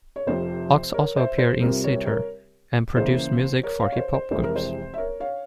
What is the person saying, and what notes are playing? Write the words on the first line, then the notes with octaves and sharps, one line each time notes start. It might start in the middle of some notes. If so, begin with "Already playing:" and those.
Ox also appeared in theatre, and produced music for hip hop groups.
C#5
F1 F2 C3 F3 C5
A#4 C#5
C5 E5
C5
C2 C3 G3 C4 F4 A#4
A#4 C#5
A#4 C#5
C#2 C#3 E3 A#3 E4 C5
A#4 C#5
C#5 F5
C#5
C5
C5
F1 F2 C3 E3 G#3 C5
A#4
C5
E5
A#4 C#5
C#5 F5